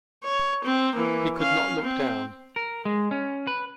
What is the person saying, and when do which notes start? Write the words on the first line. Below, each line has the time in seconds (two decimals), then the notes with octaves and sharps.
He could not look down.
0.25 C#5
0.64 C4
0.95 E3 A#3
1.37 C#4 F5
1.82 C4
2.56 A#4
2.85 G#3
3.11 C#4
3.47 B4